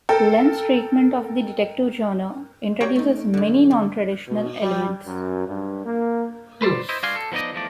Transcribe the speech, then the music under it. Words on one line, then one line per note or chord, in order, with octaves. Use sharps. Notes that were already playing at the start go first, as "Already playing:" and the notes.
Lem's treatment of the detective genre introduces many nontraditional elements.
A4 A#4 G5
F#4 G4 C#5 D5 G5 A#5
A3 D#4
F#2 D3
D3
B2
G3
F#2
G2
A#3
B4 C5 D5
E4 C5 D#5
G2 F#4 D5 F5 G#5 C6
A4
F3 B3 D#4 D5 D#5
E2 F3 A3 D5